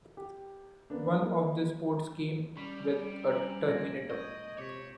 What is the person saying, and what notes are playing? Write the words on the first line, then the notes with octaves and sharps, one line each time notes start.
One of these ports came with a terminator.
G4
A#3 B3 C#4 D4
A#3 D#4 G#4
G3 C#4 B5 C#6
D7
G#5 A#5 F#7
A#2 G#3 G#6 A#6
D#5 C#6 G6 G#6
C3 C#5 D6 B6